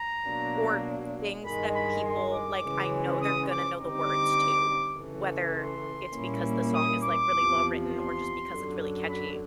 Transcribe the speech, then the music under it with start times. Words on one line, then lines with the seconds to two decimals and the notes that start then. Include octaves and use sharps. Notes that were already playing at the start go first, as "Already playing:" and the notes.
or things that people like, I know they're gonna know the words to, whether it's because the song is, like, really well-written, or just because it's really catchy,
Already playing: A#5
0.27 B2 F#3 A#3 D4
1.45 G2 D#3 G#3 B5
1.75 B5
2.04 C6
2.33 D6
2.63 C#3 E3 G#3 C#4
3.22 D#6
3.51 D6
3.80 D3 G3 C4 D#4 D6
4.99 C#3 E3 A3
5.56 C6
6.15 A#2 G3 A#3 C#4 E4
6.74 D#6
7.04 D6
7.33 E2 C3 F3
7.92 C6
8.50 F#2 D3 F#3
9.09 B5